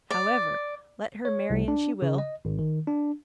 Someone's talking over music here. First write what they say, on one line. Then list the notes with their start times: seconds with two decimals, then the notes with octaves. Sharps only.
However, let her marry an she will.
0.10 D5
1.25 C#5
1.50 C2
1.68 D4
2.02 C#3
2.18 D#5
2.45 G#1
2.59 D#3
2.87 D4